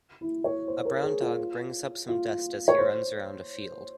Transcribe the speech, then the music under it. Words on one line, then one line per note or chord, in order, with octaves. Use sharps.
A brown dog brings up some dust as he runs around a field.
E4
C#5
C5
A#4
G#4
F4
F4
C#5
C5